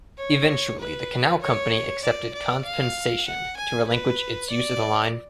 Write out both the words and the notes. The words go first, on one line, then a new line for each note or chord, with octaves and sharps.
Eventually the canal company accepted compensation to relinquish its use of the line.
C#5
B4
C#5
D5
D5
F5
F#5
G#5
B4
D5